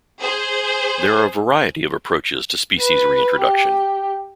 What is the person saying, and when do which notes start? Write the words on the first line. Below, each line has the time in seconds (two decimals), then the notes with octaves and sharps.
There are a variety of approaches to species reintroduction.
0.20 G#4 C5
2.79 B4
3.40 G4